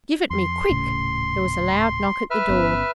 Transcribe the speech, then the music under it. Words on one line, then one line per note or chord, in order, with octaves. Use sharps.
"Give it me, quick!" There was a loud knock at the door.
F2 C6
D#1 A2 C#3
B4 E5 F6
G1 B3 C#4